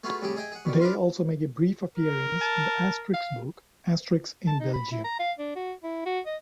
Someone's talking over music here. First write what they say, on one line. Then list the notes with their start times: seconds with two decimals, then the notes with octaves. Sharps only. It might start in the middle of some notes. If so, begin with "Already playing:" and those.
They also make a brief appearance in the Asterix book "Asterix in Belgium".
0.04 A3 B3 F4 F#4 G#4
0.22 A2 C3 G3 G4 G#4
0.36 G#4 D#5 E5 G5 G#5
0.52 G#4 F#5
0.65 B2 D3 D#3
0.80 D4 A#4 B4 E5 F5 C6
1.97 A#4
2.41 A5
3.14 F5
4.47 A5
4.60 D#4
4.73 B5
4.92 E4
5.04 A#5
5.19 F5
5.39 D4
5.56 F#4
5.83 E4
6.06 F#4
6.26 D#5